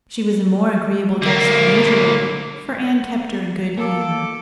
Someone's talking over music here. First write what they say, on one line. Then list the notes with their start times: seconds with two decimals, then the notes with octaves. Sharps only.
She was a more agreeable guest than usual, for Anne kept her in good humor.
1.22 D3 A#3
3.77 A#3 A4 D6